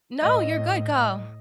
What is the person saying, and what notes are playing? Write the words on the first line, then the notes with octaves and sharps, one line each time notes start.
No, you're good, go.
A2 D#5